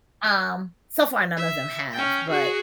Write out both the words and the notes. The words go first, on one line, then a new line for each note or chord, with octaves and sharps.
Um, so far, none of them have, but
E5
C#4 G5
F#4 G#4